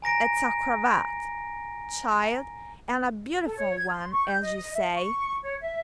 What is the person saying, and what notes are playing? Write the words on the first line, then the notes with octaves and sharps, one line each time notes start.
'It's a cravat, child, and a beautiful one, as you say.
G#5 A#5 A#6 D7
A4
C#5
G#6
C6
C#6
G6
D#5
E5
C#6
C#5
E5